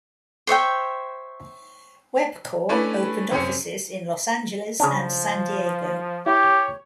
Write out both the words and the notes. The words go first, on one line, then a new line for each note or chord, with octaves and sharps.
Webcor opened offices in Los Angeles and San Diego.
C5 C#5 E5 G5
A3 C#4 D4 E4 B4
F#2 C3 C4 C#4 G#4 C#7
C#3 F3 C#4 D4
E4 G4 C#5